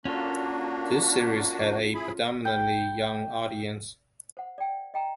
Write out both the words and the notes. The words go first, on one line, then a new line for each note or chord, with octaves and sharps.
The series had a predominantly young audience.
A#3 C#4 D4 F4 F#4 A4
E4 G#4 B5
G5 B5
C5 F#5
D5 G5
D#5 G5 A#5